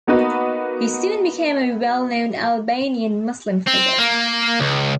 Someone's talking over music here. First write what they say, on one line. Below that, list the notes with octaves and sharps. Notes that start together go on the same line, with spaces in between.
He soon became a well-known Albanian Muslim figure.
A#3 B3 D#4 F#4 B4
C4
A#3
C#2